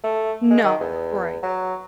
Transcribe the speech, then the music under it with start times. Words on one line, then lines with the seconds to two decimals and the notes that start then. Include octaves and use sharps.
No, right.
0.04 A3
0.50 G#3
0.64 D#3
0.80 E2
1.43 F#3